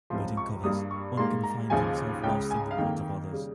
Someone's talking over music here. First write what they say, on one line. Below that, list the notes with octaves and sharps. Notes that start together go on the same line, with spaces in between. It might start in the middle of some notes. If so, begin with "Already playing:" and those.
But in covers one can find themself lost in the words of others.
C#2 C3 F3 C6
C#6
G2 G3 A#3 D#6
C#6
G#2 G3 A#3 C6
A#5
D#2 C#3 F3 G#5
C#2 C#3 G#3 G5
G#5
F5
F2 D#3 A#3 G5
C#3 G3